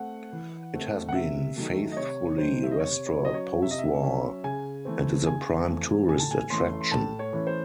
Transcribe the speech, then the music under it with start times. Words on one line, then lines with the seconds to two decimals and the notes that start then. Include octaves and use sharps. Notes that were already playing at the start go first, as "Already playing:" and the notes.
It has been faithfully restored post-war and is a prime tourist attraction.
Already playing: A3 C4 F#5
0.33 E3
0.74 A3 C4
1.08 F#5
1.15 C3 E5
1.56 D#3 F#3 A3
1.92 D#5
1.97 C3 C#5
2.38 D#3 F#3 A3 C5
2.64 E5
2.71 D#5
2.79 C3 C#5
3.06 C#5
3.21 F#3 C#4 D#5
3.34 C#5
3.62 C3 E5
3.71 D#5
3.78 E5
4.03 F#3 C#4
4.44 C#3 G#5
4.85 E3 A3 C4
5.27 C#3 G#5
5.68 E3 A3 C4
6.09 A2 G#5
6.20 A5
6.31 G#5
6.50 E3 A3 C#4 C6
6.81 C6
6.91 A2 A5
7.19 C#5
7.33 E3 A3 C#4
7.47 C5